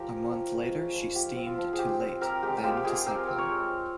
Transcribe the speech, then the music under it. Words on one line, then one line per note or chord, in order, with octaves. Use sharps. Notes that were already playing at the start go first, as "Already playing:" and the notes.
A month later she steamed to Leyte, then to Saipan.
Already playing: F3 G4 A#4
C#4
F3
G#3
C#4
F3
F4 G4
C4
F4
F3
G#4
F4 G4
C4
C4 G4 A#4
G#3 G4
G4
G#3 F4
G4
G#3 F4 G#4
C4 G4 A#4
C4
C#5
G#3